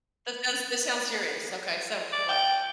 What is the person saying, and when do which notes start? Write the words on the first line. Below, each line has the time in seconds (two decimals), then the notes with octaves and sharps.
That sounds that sounds serious. Okay. So what?
2.13 D5
2.29 G5